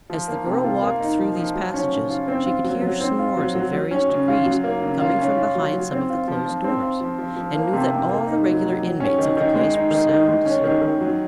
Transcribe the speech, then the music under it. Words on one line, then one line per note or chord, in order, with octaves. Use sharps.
As the girl walked through these passages she could hear snores of various degrees coming from behind some of the closed doors and knew that all the regular inmates of the place were sound asleep.
F3
A#3
C3
F4
A#3
D#4
F3
F3
F#3
C#4
C#3
F4
C4
F4
F#3
F#3
C4
F4
F#3
F#3
F#3
C#4
C#3
F4
F#3
A#3
C#3
F4
C#4
F4
F#3
F#3
C4
F4
F3
F3
C4
F4
F3
F3
F3
A#3
C3
C3
A#3
D#4
F#3
F#3
F#3
C#4
D#3
D#3
G#3
D#4
D#3
D#3
G#3
C#4
D#3
D#3
F#3